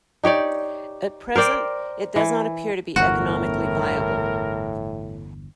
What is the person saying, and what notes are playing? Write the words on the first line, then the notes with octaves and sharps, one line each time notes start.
At present, it does not appear to be economically viable.
D#4 G4 C#5 D5
A#4 C5 D5 G5
E3
G1 E2 A2 F#4 A#4